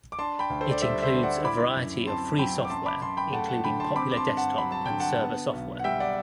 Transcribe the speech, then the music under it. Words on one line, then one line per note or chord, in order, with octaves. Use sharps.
It includes a variety of free software, including popular desktop and server software.
D6
D4 A5 C6
G5 B5
D2
A4 C5
D5
G3 C5 E5
C5 E5
D3
D5 F#5
E4 B5 D6
F#2
C4 A5 C6
F#3 G5 B5
D6
F#2 A5 C6
B5 D6
F#2 A5 C6
G5 B5
A3 F#5 A5
F#5 A5
D3 G5 B5
A5 C6
C4 B5 D6
D6
A5 C6
G2
F#5 A5
F#3 B5
A5
D3 G5
F#5 A5
B3
B1
F#5
G3 E5 G5
D5 F#5